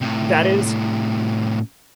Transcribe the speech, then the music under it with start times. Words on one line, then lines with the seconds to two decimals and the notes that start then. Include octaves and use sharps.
that is
0.01 A2 C3